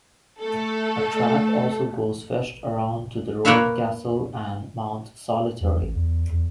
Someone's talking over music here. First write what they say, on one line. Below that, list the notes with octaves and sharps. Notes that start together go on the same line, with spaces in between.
A track also goes west around to the Ruined Castle and Mount Solitary.
A3 A4
A#3 A#4 B4 C#5 E5 F5
E2
A1
E2
E2